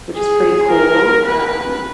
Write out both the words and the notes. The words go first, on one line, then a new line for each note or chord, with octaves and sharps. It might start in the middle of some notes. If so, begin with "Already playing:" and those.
which is pretty cool. Um,
G#4
A#4
B4